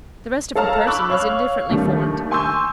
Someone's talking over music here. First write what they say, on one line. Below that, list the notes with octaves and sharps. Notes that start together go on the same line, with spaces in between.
The rest of her person was indifferently formed.
A4 C#5 F5 A5 A#5 F6
A5 B5 C#6 D6 E6 F#6
C#5 F5 C#6 F6
D#2 D#3 G3 A3 D4
G#5 C6 C#6 E6 G6